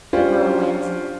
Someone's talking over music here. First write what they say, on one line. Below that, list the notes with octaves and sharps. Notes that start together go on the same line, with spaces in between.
The girl winced.
C#4 D4 F4 G4 C5